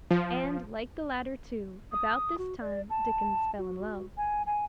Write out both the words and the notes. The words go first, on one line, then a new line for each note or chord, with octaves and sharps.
And like the latter, too, about this time Dickens fell in love.
F3
D#6
F#4
D5
A5
F#4
G#5
G#5